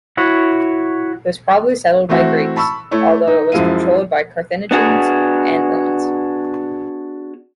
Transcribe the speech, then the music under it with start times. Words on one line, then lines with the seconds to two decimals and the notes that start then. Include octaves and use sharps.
It was probably settled by Greeks, although it was controlled by Carthaginians and Romans.
0.17 E4 F#4 C#5
2.09 E3 A3 C4 E4 F#4 E5
2.56 A5 B5 C#6 E6
2.91 A3 E4 C#5
3.27 D#4
3.52 F#2 F3 G#3 E4 F5 D#7
4.71 B3 D4 F#4 G#4